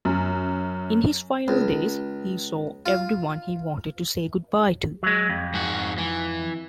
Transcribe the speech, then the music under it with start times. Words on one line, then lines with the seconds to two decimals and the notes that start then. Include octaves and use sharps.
In his final days he saw everyone he wanted to say good-bye to.
0.05 F#2
1.48 C#2
2.86 F4
5.03 F#3 G#3
5.29 F2
5.54 G#2 F#4
5.98 E3